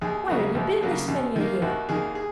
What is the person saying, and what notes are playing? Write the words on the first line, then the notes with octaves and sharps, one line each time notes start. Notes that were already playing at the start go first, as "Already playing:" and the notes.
Where han ye been this many a year?
D#2 G#4
C#3 F#3 A#3
D#2
C#3 F#3 A#3
D#2
D#3 A#3
D#2 F#4
D#3 A#3 G#4
G#4